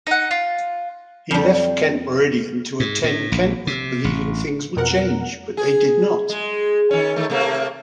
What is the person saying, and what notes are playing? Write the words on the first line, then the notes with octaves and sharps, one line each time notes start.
He left Kent-Meridian to attend Kentwood believing things would change, but they did not.
D#4 F#5
F4
F2 G3
G#2
A2
A#1
C3
A1
F2 B2 A#4 F#5
G#4
G#3
D#3 C#4
D#3 A3
C3 A3 A#3